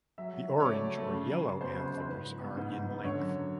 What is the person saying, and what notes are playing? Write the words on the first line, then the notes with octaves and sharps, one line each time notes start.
The orange or yellow anthers are in length.
F#3 E5
F#3
C#3
C#5
A3 D5
F#3
A3
C#3
F#3
F#3
B3 C5
B4
C#3 C5
C#3 C5
G#2 B4
F3
B3
G#2
G#2
B3
D3 C#5
F#2